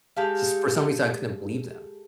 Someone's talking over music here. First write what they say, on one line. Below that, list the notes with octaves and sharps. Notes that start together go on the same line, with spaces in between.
Just for some reason I couldn't believe them.
G#3 G4 A4 F5